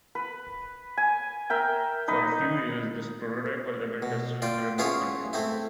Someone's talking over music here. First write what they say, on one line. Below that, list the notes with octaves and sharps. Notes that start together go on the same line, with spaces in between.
For a few years this prototype was even tested under remote control.
B4
G#5
A#4 E5 G5
D#4 B4 D#5
B2
F4 D5 G5
B3 C#4 E4 F4 G#4 C#5
A3 C4 E4